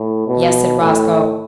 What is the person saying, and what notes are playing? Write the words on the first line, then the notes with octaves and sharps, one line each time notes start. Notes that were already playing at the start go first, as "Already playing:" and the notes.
"Yes," said Roscoe.
Already playing: A2
B2
A2